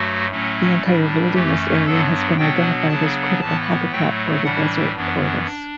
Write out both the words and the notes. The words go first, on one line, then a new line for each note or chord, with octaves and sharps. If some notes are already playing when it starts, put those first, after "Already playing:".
The entire wilderness area has been identified as critical habitat for the desert tortoise.
Already playing: G2 F#3 A3 F#4
A2 F#3 A3 C#4
A2 G3 D4
F#2 E3 A3 C#4 G4
G2 F#3 B3 D4 A4
B2 F#3 B3 D4 G5
C#3 F#3 B3 D4 A5
A2 E3 B3 A5
A2 F#3 A3 G5
A2 E3 G3 D4 F#5
F#2 E3 B3 D4
D4